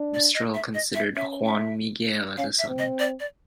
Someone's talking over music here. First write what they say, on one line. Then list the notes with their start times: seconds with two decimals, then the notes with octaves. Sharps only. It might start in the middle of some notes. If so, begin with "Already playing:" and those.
Mistral considered Juan Miguel as a son.
Already playing: D4
0.14 D5
0.34 D#5
0.54 E5
0.74 D#5
0.95 E5
1.16 C#4 E5
1.46 E5
2.37 C#4 F5
2.59 E5
2.69 C4
2.78 D#5
2.99 D5
3.20 D5